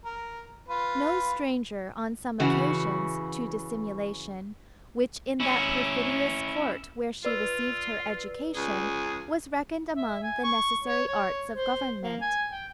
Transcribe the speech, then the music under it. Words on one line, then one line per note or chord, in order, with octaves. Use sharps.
No stranger, on some occasions, to dissimulation, which in that perfidious court where she received her education was reckoned among the necessary arts of government.
A#4
F4 B4
C#3 E3 F#4
C#4 E4
F4 B4 D5 E6
C#2 G#4
E5
G#5
C#6
C#5
C#5
C5
A#3
G#5
G5